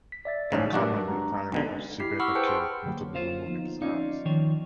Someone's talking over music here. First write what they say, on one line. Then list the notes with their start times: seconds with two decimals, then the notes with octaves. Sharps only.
Enraged, Pancamo and the Italians have Schibetta killed, notably removing his eye.
0.12 B6
0.25 D5 E5 A6
0.52 A1 G#2 C#3
0.73 G2 F#3 D4 F#4 G4 A#4
1.08 G#3 A#5
1.52 B1 B2 D3
2.00 E4 G4 B6 C7
2.20 F#5 B5 C#6 D6 E6 F6
2.35 G#4 B4 C5 G5 A5 C#7
2.47 C6
2.86 D3 F#3 A#3
3.15 F4 C5 F5
3.46 F3 B3 D#4
3.82 C#4 D#4 F4 D5 F5
4.25 D#3 F3 C#5